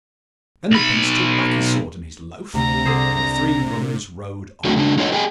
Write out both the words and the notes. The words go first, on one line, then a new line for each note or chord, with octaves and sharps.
Then the Prince took back his sword and his loaf, and the three brothers rode on.
B1 B5
D2 C3 A#5
C2 D3 G#4 C5
D3 F#3 A3 C4 F#4
C#3 G#3 D4
D3 F4 A4 C#5 D#5
G4 G#4 D#5 G5 G#5